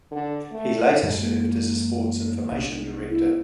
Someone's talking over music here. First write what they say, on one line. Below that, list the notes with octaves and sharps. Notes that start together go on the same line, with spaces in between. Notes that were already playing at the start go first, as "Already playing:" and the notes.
He later served as a sports information director.
D3
A3
F#2 E3 G#3
A#3
C2 B3 D4
E4